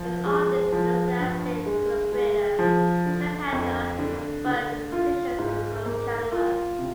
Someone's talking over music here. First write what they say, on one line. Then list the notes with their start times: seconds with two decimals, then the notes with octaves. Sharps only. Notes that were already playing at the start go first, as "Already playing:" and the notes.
An ardent and enthusiastic collaborator, Shubhendra has worked with musicians across genres.
Already playing: F3
0.25 G#3
0.72 F3
1.19 G2
1.66 G#3
2.12 G#3
2.59 F3
3.06 D3
3.52 F2
3.99 D3
4.45 D3
4.92 F4
5.39 G#2
5.86 A#3
6.32 F4
6.79 C3